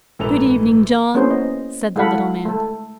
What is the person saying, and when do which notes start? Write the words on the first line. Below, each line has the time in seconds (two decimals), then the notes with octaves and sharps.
"Good evening, John!" said the little man.
0.19 A#1 G#2 E3 A4 B4 F7
1.14 A#3 B3 C#4 E4 G#4 C5
1.30 D#5
1.96 G#3 E4 A4 F5 F#5 B5
2.45 A3 A4